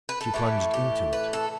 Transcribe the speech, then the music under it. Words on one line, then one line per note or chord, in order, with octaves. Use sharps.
She plunged into it.
B4
A4
A2 E3 A3 G4
G4
B4
A4